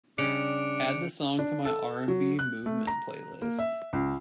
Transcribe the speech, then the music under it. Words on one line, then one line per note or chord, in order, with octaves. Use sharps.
Add the song to my R&B Movement playlist.
C#3 G3 D4 C#7 D7 F7
D4
A4
F#3
F#6
A3
A#5
A#3
E5
C#2